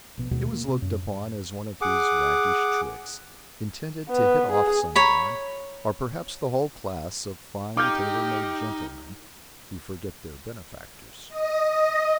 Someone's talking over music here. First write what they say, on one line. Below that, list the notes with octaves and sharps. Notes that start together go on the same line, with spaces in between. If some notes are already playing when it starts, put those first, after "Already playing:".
It was looked upon as one of his waggish tricks, intended to hit off some one, or perhaps the whole class of fine tailor-made gentlemen who forget their benefactors.
A#1 B2
D#2 B2 G#3
A#3
C3
F#2
G#4 F#5 D6
B3
G#4
C#5 A#5 B5
D#4 G4 D6 F6 G6
D#5
D#5